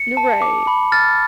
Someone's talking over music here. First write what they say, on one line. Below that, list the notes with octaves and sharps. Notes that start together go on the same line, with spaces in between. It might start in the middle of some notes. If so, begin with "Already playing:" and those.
You're right.
Already playing: C#7
A5
D6
B5
F6 A6